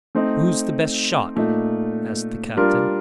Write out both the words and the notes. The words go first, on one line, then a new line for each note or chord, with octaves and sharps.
"Who's the best shot?" asked the captain.
A3 C4 D#4
A#2 A3 D#4
G3 D4 F4 A#4